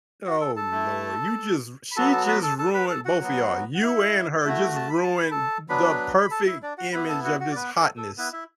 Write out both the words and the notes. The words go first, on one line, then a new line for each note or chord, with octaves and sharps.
Oh Lord, you just she just ruined both of y'all you and her just ruined the perfect image of this hotness.
F#4
A4
A4 A5
A3 E4
B5
F#3 B3 F#4 A4 A5
A4 A5
B4 B5
A4 A5
A4 A5
B4 B5
A4 A5
F#4 F#5
F#3 B3 F#4
F#5
E4 E5
D5
A3 E4 F#4 E5
A5
B5
A5
B5
A4 A5
F#3 B3 D4 B4 B5
B5
A4 A5
E4 E5
D4 D5
F#4 F#5
B3 E4 B4 B5
A4 A5
F#4 F#5
F#4 F#5
D5
B3 B4
A4
A4
B3 E4 B4
E4 E5